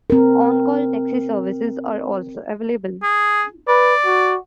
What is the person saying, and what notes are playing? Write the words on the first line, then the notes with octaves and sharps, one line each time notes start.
On-Call taxi services are also available.
C4 A#4
G#4
B4 D5
F#4